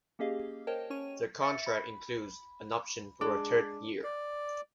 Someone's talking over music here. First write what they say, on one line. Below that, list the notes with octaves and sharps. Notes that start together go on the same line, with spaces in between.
The contract includes an option for a third year.
A#3 C#4 G4 G#4 D#5 F5
A#4 C5 C#5 D#5 G5 A5
C#4 C#5 C#6 D#7
E5 A6 C#7
B5
G#3 D4 D6
D5